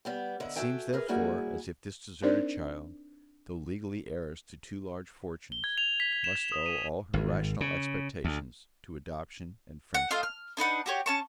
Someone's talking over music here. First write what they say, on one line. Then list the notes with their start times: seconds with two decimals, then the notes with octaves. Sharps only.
It seems, therefore, as if this deserted child, though legally heiress to two large fortunes, must owe all her rational expectations to adoption and friendship.
0.05 G3 B3 G4
0.40 D3 D#4 E4
0.56 F#4 G4 A4 E5 G5 G#5
0.93 G#4 A#4 B4
1.08 G3 A#3 E4 F#4 G#4
2.22 C4 D4 D#4 A#4 C5 D5
5.52 G7
5.64 G#6
5.78 F7
6.00 B6
6.13 B6
6.24 E7
6.35 G#6
6.52 D#6
6.66 D#7
7.14 G#1
7.61 C#3
8.25 D2
9.94 F#5
10.11 A3 F4 D#5 F5
10.23 F6
10.57 D4 D#4 B4 F#5
10.86 F#4 G4 C#5
11.06 C#4 A5 C#6